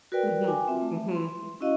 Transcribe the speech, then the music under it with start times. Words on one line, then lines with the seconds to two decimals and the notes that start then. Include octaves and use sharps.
Mhm. Mhm. Mm.
0.12 F#4 A#4 B4 D5 G5
0.47 G5 G#5 D6
0.68 C4 F4 E5
0.81 A3
1.14 C6
1.61 C#4 E4 F#4 D#5 F5